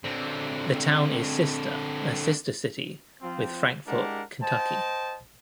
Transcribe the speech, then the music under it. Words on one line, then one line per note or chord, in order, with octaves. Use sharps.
The town is sister a sister city with Frankfort, Kentucky.
D3 C4
F3 C4 F4
G#3 D4 E4 G4 A#4 F#5
C5 D#5 G5 A5